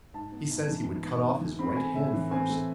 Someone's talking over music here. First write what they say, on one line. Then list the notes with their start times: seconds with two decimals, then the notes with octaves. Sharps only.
"He says he would cut off his right hand first."
0.14 G#2 A5
0.32 B3
0.51 G#2
0.68 E3
0.86 G#2
1.05 B3
1.23 G#2
1.41 E3
1.59 C4 B5
1.77 A3 G#5
1.95 A2 E5
2.13 E3
2.31 C4 G#5
2.49 A3